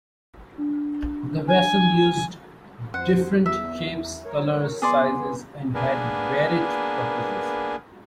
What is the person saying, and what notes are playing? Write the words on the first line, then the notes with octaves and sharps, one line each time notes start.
The vessels used different shapes, colors, sizes, and had varied purposes.
D4
G#5
F2 C5 F#5
E2 E5
A#4 C#5
B3 G#4 D5 C6
A#3 B3 D4 G#4 A#4 B4